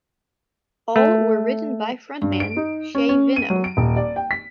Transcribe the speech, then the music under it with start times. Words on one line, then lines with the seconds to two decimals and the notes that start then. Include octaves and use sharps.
All were written by frontman Shay Veno.
0.96 A3
2.22 G2
2.40 D7
2.57 D#4
2.95 C#4
3.09 C#4
3.36 D#7
3.50 F#3
3.64 D7
3.77 D#1
3.96 D5
4.16 G5
4.31 B6